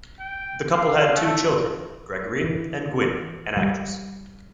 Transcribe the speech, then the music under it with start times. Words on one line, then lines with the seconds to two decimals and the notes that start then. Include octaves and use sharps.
The couple had two children, Gregory and Gwynne, an actress.
0.20 G5
0.74 F5
1.15 A3
2.44 E3
3.57 G3